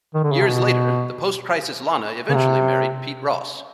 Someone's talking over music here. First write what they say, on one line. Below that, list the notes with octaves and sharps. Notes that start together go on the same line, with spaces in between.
Years later, the post-"Crisis" Lana eventually married Pete Ross.
D#3
D3
C#3
C3
B2
C#3
C3